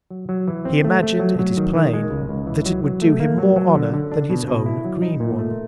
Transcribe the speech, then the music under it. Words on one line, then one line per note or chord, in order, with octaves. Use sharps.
He imagin'd, it is plain, that it would do him more Honour than his own Green one.
F#3
F#3
E3
C4
A3
A3
F#3
F#3
D#3
D#3
G#3
C#2
C#2
E3
F#3
F#3
A3
A#3
F#3
F#3
D3
D3
D4
B2
B2
E4
F#3
D#4
A#2
A3